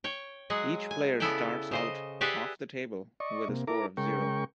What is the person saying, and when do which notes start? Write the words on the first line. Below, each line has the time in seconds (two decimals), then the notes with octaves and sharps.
Each player starts out "off the table" with a score of zero.
0.04 C#5 G5
0.50 F#3 G#3 G#4 F#5
0.91 G#5
1.20 C#3 B3 E4 A4 D5 G5
1.71 C#3 C5 D#5
2.21 G4 G#4 B4 D5 E5 F#5
3.20 D5 D#5 C#6
3.48 C3 A#3
3.67 E4 A4 A#4 A#5 D6
3.97 C#3 G#3 A#4 G5 C#6